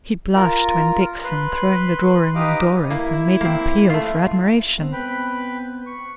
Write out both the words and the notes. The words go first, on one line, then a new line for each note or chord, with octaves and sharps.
She blushed when Dixon, throwing the drawing-room door open, made an appeal for admiration.
F4 A#4
B4 C6 F#6
D#4 G4 B4 D#5 F5 D6
A#3 E4
A#3 C4
A3 F4
B3 C4
B4 G5 B5
C#6